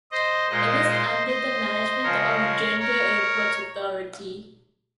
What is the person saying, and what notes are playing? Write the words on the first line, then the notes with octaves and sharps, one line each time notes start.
It was under the management of the Grenada Airports Authority.
C5 D#5
A#2 G#3 C5 D#5
C5 D#5
C5 D#5
C#3 F3 G#3 A#4 C#5
A#4 C#5